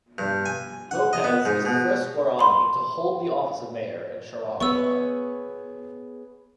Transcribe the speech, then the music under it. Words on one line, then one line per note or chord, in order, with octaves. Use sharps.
Lopez is the first Guarani to hold the office of mayor in Charagua.
G2
G#5
F#5
D#5
B3
G#2
B2
B5 C6
B3 G#4 C#5 C#6 E6